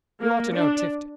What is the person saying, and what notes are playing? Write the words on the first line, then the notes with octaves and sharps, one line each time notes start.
You ought to know Tifto.
A#3
D4